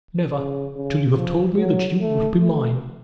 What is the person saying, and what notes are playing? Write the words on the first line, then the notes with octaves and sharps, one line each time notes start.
"Never, till you have told me that you will be mine!"
C#3
C#3
F3
F#3
A3
A3